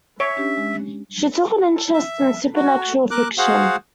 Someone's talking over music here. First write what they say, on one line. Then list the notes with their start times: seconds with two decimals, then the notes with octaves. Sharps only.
She took an interest in supernatural fiction.
0.20 C#5 E5
0.37 C#4 D4 G4
0.57 G#3
1.93 E5
2.55 F#4
3.11 A#4 D6 F#6
3.38 F#4 G#4 C5 F5 F#5